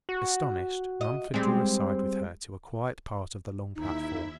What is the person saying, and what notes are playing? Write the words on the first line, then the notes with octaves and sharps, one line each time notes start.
Astonished, Mumford drew aside with her to a quiet part of the long platform.
F#4
D#5
G3 G#3 C4
D#2 D#4 E4 E5